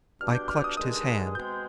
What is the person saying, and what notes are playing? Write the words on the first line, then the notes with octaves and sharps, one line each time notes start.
I clutched his hand.
B2 G3 D4 F6
G6
F6
D#6
G2 D#3 G#3 D4 G#4 D#6
B2 G#3 C4 G6